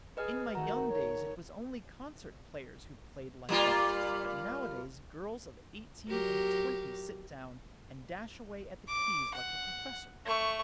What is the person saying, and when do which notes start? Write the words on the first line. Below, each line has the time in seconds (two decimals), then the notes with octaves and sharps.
In my young days it was only concert-players who played like that; but nowadays girls of eighteen and twenty sit down, and dash away at the keys like a professor.
0.17 G#4 B4 D#5 F6
0.55 D#3 A3 D#4 F#4 A#5
0.91 C#5
3.49 G3 A#3 F4
6.09 F#3 G4 A#4
8.88 D6
9.34 F#5
10.26 A3 C#6